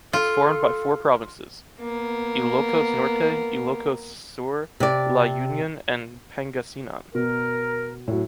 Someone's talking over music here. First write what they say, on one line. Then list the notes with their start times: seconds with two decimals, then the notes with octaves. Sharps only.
It’s formed by four provinces: Ilocos Norte, Ilocos Sur, La Union and Pangasinan.
0.13 F4 A4
1.80 A#3 B3
4.80 C3 D5
7.15 B2 A#4
8.08 A2 F#3